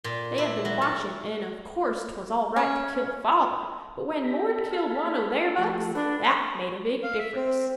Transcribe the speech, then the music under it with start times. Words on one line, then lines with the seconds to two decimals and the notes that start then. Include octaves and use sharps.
They had been watchin' an', of course, 'twas all right to kill Father, but when 'Mord' killed one o' their bucks, that made a big difference.
0.04 A#2
0.38 E4
0.65 F#3
0.82 A4
2.56 C#4
4.24 G4 A4 A#5 B5
4.71 G#4 F5 B5
5.58 F3 A3 G4
5.95 D4 A4 B4 F#5
7.03 F5
7.18 E5
7.36 C4